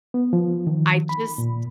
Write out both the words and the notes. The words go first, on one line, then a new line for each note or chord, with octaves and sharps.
I just
B3
F3
D#3
B5
A#2